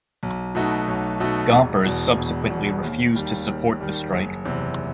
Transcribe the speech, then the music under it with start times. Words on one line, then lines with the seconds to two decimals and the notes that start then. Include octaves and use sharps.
Gompers subsequently refused to support the strike.
0.23 B1
0.55 B2 A3 D#4 F#4
0.88 B1
1.20 B2 A3 D#4 F#4
1.53 E1
1.85 E2 B2
2.18 E1
2.50 E2 B2
2.83 D#2
3.16 D#3 G3
3.47 D#2
3.81 D#3 G3
4.13 F#1
4.45 E2 C3